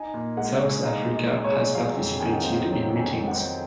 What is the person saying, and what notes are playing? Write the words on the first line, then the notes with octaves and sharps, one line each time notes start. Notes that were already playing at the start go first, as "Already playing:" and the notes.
South Africa has participated in meetings.
Already playing: D#4 G#5
A#2
G#3 F#5
G#4
D#4 F5
A#2
D#5
G#3
C#5
G#4
F#3 F5
F2
D#3 G#5
F#5
C4 F5
F#5
F#3
F2
G#5
D#3
F#5
C4